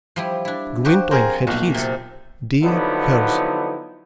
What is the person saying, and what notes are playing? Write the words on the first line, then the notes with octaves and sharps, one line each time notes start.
Gwynplaine had his, Dea hers.
F3 G3 E4
D4 E4
F3 F#4 G4
C4 G#4 A#4 C5
B1 A#2 F#4
C3 A4
D3 F3 F#3 B3 D#4 E4